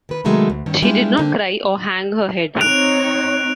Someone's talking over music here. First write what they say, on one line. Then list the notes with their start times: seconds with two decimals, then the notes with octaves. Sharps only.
She did not cry or hang her head.
0.09 D#3 B4
0.24 C3 D#3 F#3 G#3 A3
0.50 D2
0.66 G2 D#3 C#4
0.82 G3 G#3 D4 E4 F4 G4
1.18 D3 A#3 C4 D4
2.61 C4 D#4 C#5 F#6 D7 F7